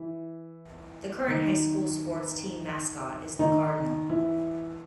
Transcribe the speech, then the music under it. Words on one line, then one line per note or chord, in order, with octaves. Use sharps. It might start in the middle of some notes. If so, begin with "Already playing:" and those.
The current high school sports team mascot is the cardinal.
Already playing: E3 E4
D#3 D#4
D#3 D#4
E3 E4